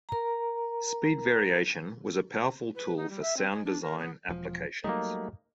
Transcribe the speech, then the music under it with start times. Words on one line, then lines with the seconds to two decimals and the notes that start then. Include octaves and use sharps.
Speed variation was a powerful tool for sound design applications.
0.09 A#4 A#5
2.75 B4
2.97 D#4
3.10 G3
3.22 E5
3.37 C4
3.51 G#3
3.65 D4
3.82 A#4
3.98 B3
4.29 E1 F3
4.84 F#3 G3 A3 A#3 D#4